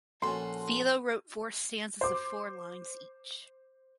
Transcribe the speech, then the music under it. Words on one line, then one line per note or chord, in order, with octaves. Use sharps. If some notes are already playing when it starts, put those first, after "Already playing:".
Thilo wrote four stanzas of four lines each.
A#1 C#4 F#4 A4 C6
C5 D6